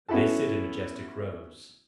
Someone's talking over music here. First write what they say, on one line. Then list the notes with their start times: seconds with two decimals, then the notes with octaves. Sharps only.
They sit in majestic rows.
0.09 B3 C#4 E4 F#4 A4 A5